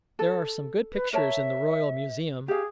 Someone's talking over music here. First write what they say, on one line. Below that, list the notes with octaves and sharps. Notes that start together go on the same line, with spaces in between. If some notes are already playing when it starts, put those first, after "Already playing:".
There are some good pictures in the royal museum.
A4
B4
A#4 C#5 E5 A5
G4 G#4 F5